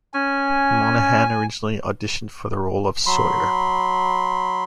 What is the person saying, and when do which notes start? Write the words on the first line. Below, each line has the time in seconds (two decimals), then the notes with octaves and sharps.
Monaghan originally auditioned for the role of Sawyer.
0.14 C#4 G#5
3.06 F#3 B5 C6